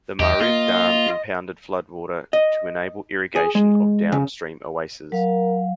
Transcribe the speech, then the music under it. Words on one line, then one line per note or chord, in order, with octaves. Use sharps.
The Ma'rib dam impounded floodwater to enable irrigation of downstream oases.
E2 G4 D#5
A#3 F4
D#5
G#4
G#3
C#3
F#3 A#4 F5